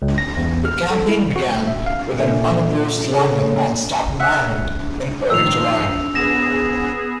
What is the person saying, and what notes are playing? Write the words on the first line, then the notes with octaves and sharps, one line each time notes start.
The campaign began with an unopposed landing on Staten Island in early July.
C#2
A#6
E2
F6
A4
E4
F#4
A3
E5
F5
A#2 D3 F4 A#4 E5 G#5
C#3 F#4 G#4 A4
E5 F#5
D#3 F3 E6 C7 F7
B3 G#4 A#6 E7